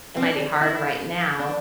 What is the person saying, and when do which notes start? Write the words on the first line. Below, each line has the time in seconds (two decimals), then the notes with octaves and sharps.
it might be hard right now,
0.17 C4
0.22 D4
0.61 E4
1.39 D4